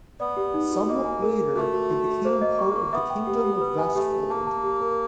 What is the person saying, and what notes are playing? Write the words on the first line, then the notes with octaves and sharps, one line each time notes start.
Somewhat later, it became part of the kingdom of Vestfold.
B3 D5
G4
D#4
F#4
A#3 D#5
G#5
A#4
A#4
A3 F#4
F#4
F#4
F#4
A#3 C5
D#5
C#6
C#6
B3 E5
G5
G4
G4
B4
G#5
A3 G4
G4
A#3 A5
A5
G4
A#4